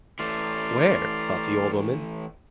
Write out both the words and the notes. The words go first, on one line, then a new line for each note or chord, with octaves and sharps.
"Where?" thought the old woman.
E3 A3 D5 C6 F6